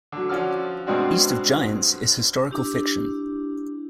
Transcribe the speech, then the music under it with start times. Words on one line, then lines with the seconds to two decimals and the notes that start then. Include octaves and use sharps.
"East of Giants" is historical fiction.
0.12 D3 F#3
0.29 F3 C#4 F#4 D5 E6 F6
0.87 G2 B2 G#3 C4 D4 F#4
2.51 D4 E4 G4